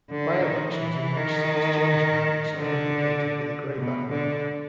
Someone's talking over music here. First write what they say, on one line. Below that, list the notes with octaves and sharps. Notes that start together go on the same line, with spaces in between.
By-elections in which seats changed hands are indicated with a grey background.
D3
D#3
E3
D#3
D3
B2
D3